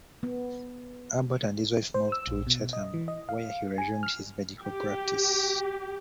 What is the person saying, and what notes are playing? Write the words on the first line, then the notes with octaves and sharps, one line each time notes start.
Abbott and his wife moved to Chatham where he resumed his medical practice.
B3
C5
E6
A#1
B2
D#5
E3
D#5
F5
G#5
F6
G4